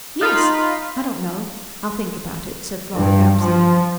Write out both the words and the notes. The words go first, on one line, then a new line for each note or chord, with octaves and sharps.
"Yes--I don't know--I'll think about it," said Florrie absently.
D#4 F4 F5 B5
G2
F3